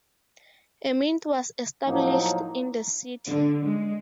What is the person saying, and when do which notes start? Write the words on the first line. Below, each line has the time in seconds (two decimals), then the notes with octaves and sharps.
A mint was established in the city.
1.86 A2 F3 F#3 A#3 D#4
3.27 D3
3.65 G#3